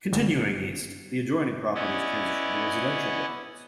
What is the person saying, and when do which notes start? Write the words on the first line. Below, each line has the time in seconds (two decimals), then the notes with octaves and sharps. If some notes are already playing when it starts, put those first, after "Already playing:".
Continuing east, the adjoining properties transition to residential buildings.
0.12 G1
1.74 B3 C#4 E4 D5 D#5